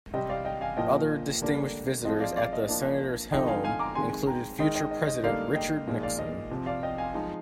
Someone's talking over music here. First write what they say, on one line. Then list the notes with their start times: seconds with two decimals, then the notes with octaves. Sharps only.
Other distinguished visitors at the senator's home included future President Richard Nixon.
0.14 C3 G3 C4 D#5 G5
0.30 D5 F5
0.45 D#5 G5
0.61 F5 G#5
0.77 A#2 F3 A#3 D#5 G5
1.41 D3 G3 A#3 D4
2.05 F3 G#3 C4 D#5
2.20 D5 F5
2.36 D5 F5
2.53 D#5
2.68 F3 A#3 D4
3.32 D3 F3 C4 D#4 D#5 G5
3.48 F5 G#5
3.64 F5 G#5
3.79 A#5 D6
3.95 D#3 G#3 C4 G#5 C6
4.27 G5 A#5
4.59 D#3 G#3 D#4 D#5 G5
4.75 D#5 G5
4.91 D#5
5.07 D#5
5.23 D3 G3 A#3 D#4 D5 F5
5.55 D#5 G5
5.88 A#2 F3 G#3 D#4
6.03 D5 F5
6.19 D#5
6.51 C3 F3 C4
6.66 D5 F5
6.83 D#5 G5
6.98 F5 G#5
7.14 F3 G#3 D#4